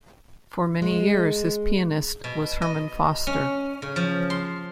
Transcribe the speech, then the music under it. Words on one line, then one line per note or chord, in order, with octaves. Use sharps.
For many years his pianist was Herman Foster.
G#3
B2
D#5
C#4
C#3
F3
C6